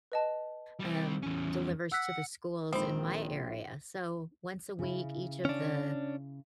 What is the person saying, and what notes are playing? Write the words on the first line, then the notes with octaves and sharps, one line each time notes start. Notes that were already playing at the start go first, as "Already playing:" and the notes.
um, delivers to the schools in my area. So once a week, each of the
B4 D#5 A5
G3 C4
E2 C#4
F#5 E6 F#6 B6
A#1 D#3 G#3 C4 D#4
C#3 E4
C#4 D4